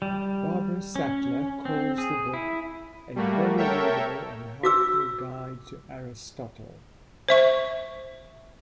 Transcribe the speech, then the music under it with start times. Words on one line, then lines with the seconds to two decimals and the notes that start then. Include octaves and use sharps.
Barbara Sattler calls the book "a very readable and helpful guide to Aristotle".
0.02 G3
0.96 C#4
1.65 C4
1.98 G#4
2.34 E4
3.16 G3 A3 A#3 F#4
3.57 A4 A#4 C#5 E5 G5
4.63 F#4 D6 E6
7.29 C5 E5 C#6